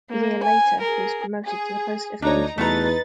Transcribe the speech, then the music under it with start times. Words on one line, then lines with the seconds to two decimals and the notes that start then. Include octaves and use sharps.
A year later, he was promoted to the post of commissioner.
0.10 A#3
0.43 G#5
0.81 G#4 A#4
1.45 G#4
2.22 D2 D4 D#4 C#5 A#5
2.58 E2 A3 D#4 F#4 B4 A#5 A6